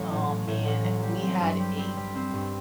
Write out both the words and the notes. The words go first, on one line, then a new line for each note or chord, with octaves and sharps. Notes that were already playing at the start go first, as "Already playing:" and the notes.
um, and we had a
Already playing: A1 F#3
A2
A2
A2
A1
F#3
G3
C4
G2
G3
C4
G3
C4
G2